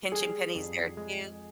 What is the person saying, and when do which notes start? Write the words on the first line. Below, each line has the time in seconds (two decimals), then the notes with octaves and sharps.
pinching pennies there too.
0.12 G3 G#4
0.55 F2
0.97 G#3